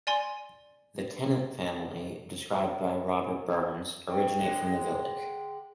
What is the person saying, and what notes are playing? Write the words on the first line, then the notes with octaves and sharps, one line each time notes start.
The Tennant family, described by Robert Burns, originate from the village.
D5 G#5 C6
C#3 G5
D3 G#3